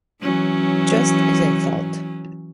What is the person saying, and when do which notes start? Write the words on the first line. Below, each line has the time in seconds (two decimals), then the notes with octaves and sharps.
Just as I thought.
0.22 E3 F#3 C#4